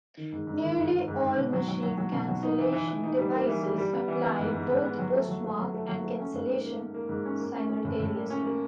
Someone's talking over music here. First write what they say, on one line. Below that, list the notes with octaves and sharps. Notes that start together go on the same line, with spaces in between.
Nearly all machine-cancellation devices apply both postmark and cancellation simultaneously.
D#3
G#2
G#2
D#3
G#2
G#2
G#2
G#2
B2
F#3
F#3
F#3
F#3
B2
F#3
D#4
E3
E3
E3
D#4
G3
A#3
E3
G3
G3
B3
E3
B3
G#2
G#2
G#2
B3
F#3
A3
F#3
A3
F#3
A3
F#3
A3
C#4
G#2
A#3
A#3
A#3
A#3
G#2
C#4
A#3
C#4
C#4
A2
A2
A#3
C#4
A#3